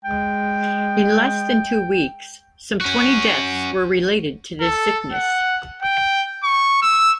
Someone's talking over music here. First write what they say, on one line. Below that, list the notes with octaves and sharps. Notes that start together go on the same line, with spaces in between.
In less than two weeks, some twenty deaths were related to this sickness.
G#3 G5
C#4 F#4
A4
F#5
G5
C#6
E6